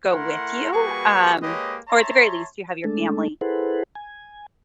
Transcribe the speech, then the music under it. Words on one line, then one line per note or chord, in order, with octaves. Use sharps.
go with you, um, or at the very least, you have your family,
A3 E4 A#4 F#5 A#5 C6
G3 A#3 F#4 G#4 B4 C#6
G#3 A#3 G4 B4 C#5 D#5
C#5 E5 A5 A#5 C6
G#3 A3 D4 A4
E4 G#4 A4 B4 C5 F#5
G#5